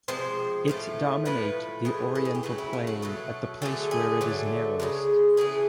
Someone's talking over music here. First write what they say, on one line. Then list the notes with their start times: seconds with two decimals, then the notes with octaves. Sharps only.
It dominate the oriental plain at the place where it is narrowest.
0.08 C3 F3 G#3 C5
0.68 A2 F3 A3
1.25 A2 F3 A3 B4
1.85 A2 E3 G#3
2.15 A4
2.25 G#4
2.35 G4
2.43 C#3 F#3 A3 F#4
2.58 E4
2.73 F4
2.87 F#4
3.02 B2 F#3 A3
3.62 D3 F#3 A3 G#4
3.91 G#4
4.21 D3 F#3 A3
4.80 C#3 F3 G#3
5.37 C#3 E3 A3 G#4